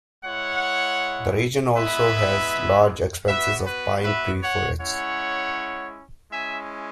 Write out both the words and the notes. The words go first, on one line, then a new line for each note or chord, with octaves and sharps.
The region also has large expanses of pine tree forests.
G#3 E4 C#5 F#5
G#3 B3 E4 B4 E5
B3 F#4 B4 E5
B4
B4 E5
C#5 F#5
G#3 C#4 E4 C#5 F#5
G#3 C#4 E4 E5 G#5